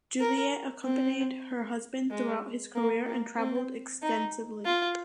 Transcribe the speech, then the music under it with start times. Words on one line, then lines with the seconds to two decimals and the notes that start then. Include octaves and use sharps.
Juliette accompanied her husband throughout his career and travelled extensively.
0.21 A#4
0.84 C4
2.11 G#3
2.75 A#3
3.07 A#3
3.38 C4
4.02 D#4
4.66 F4